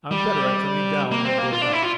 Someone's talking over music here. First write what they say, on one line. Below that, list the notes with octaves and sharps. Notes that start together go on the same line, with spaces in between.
"I'm better at coming down than going up."
G3
A#3
C4
A#3
F4
D4
E4
F4